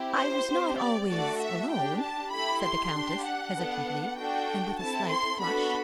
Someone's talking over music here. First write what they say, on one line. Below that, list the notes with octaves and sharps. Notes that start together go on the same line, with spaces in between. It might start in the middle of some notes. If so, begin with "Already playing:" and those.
"I was not always alone," said the Countess, hesitatingly, and with a slight flush.
Already playing: C4 E4 G4
C5
C4 G4
D5
A3 D4 F#4 A4 D5
E5
D4 G4 G5
A5
A3 E4 G4 B5
C6
D4 G4
F#5
B3 D4 A4
D4 F#4 A4 G5
C4 E4 A4 A5
C6
B3 D4 F#4 A4 B5